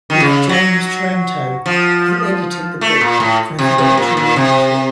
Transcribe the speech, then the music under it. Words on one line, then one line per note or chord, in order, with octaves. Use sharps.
With James Taranto, he edited the book Presidential Leadership.
D#3
C#3
F#3
F3
A3
A#2
A2
C3
C3
A#2
A#2
C3